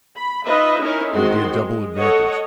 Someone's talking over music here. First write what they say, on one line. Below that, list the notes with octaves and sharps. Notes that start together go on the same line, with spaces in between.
It would be a double advantage.
B5
D#4 F4 B4 D#5 E5
C#4 D#4 E4 A#4
D#3 G#3 C4 F#4 C6
G#3
A4 C#5 D#5 F#5